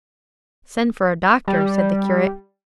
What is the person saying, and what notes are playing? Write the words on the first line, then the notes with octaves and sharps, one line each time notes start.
'Send for a doctor,' said the curate.
G3